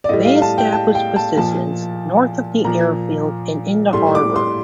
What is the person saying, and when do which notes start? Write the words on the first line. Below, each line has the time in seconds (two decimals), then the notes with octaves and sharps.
They established positions north of the airfield and in the harbor.
0.04 D5
0.09 A2 G3 D#5
0.25 F5
0.42 A5
0.58 G5
0.73 A5
0.95 G5
1.16 A5
1.37 A#2 F3 A5
2.65 A#2 F3 A#5
3.93 A2 G3 C6
4.15 D6
4.36 C6